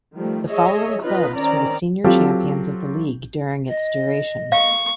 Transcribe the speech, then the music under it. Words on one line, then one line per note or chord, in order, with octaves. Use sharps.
The following clubs were the senior champions of the league during its duration.
D#3 F3 G3 A3
G#4 C#5 D#5 E5
B3 D#4 F4 B4 D#5
D#3 C4 C#4 D5 A#5
F#3 C4 F4 G4 A4
D#5
F5 C#6